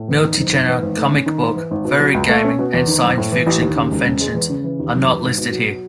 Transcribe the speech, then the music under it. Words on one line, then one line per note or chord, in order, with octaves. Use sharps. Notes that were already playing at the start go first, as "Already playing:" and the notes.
Multi-genre, comic book, furry, gaming, and science fiction conventions are not listed here.
Already playing: A2
E2
D#3
F#1
G#2
E3
G#1
A3
C#4
D#3
G#2
E3
G#1
B2
F#3
C#2
A3
C#4
B2
E2
D#3
F#1
A2
E3
A1
D#2
C#3
E1
C#3
G#3
E2
C#3
E3
D#2
F#2
E3
G#1
B2
F#3